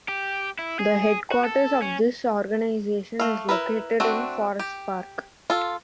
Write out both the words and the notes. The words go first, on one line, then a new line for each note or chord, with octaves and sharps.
The headquarters of this organization is located in Forest Park.
G4
E4
G#4
F#4
A4
C#4
A3 F5
E4 A#4 B4
A3 C4 D4 F#4
G4
F4 A4